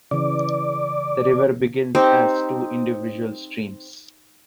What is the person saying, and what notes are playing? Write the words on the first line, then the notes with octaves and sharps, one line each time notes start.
The river begins as two individual streams.
C#3 E3 D5
C4 D#4 G4 C5